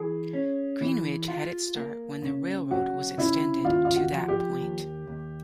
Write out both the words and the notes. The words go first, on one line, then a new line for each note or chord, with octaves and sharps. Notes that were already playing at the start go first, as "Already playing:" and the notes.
Greenridge had its start when the railroad was extended to that point.
Already playing: E3 G#4
C#4
E3
F4
A#3
C#3
F#3 F#4
C#3 E4
D#2 F4
F4
F#4
F3
G4
D#2
D#2